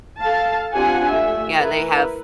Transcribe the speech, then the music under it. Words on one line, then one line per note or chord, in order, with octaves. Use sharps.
yeah, they have
A4 F5 A5
C4 D4 F4 G4 F#5 G#5
A3 E5
E4 A#4 B4